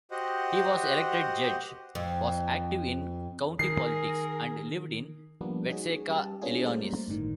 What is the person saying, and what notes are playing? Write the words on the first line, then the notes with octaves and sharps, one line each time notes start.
He was elected judge, was active in county politics, and lived in Watseka, Illinois.
F#4 G4 C5 D#5 F#5
F2
D#3 G#4 A#4 C7
F3 G3 A#3 B3 D4
C#4 D#4 F#4 G#4
G3 G4 A5
B3 C#4 D4 F4 G#4
G3 A3 A#3 A#4 C5 D5
G1 A2 D#3